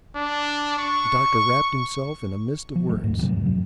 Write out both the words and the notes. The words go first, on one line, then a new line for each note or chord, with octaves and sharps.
The doctor wrapped himself in a mist of words.
D4
C#6
F3
D1 A1 F#3 A3
D#2 G#2
G2 C3 F#3
F2 F#3